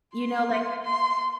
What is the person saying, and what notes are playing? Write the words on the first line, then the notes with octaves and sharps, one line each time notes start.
You know, like
C6
C6